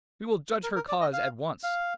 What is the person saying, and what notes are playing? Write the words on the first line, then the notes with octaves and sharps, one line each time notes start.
'We will judge her cause at once.'
A#4
A#4
D5
D#5
F5
F5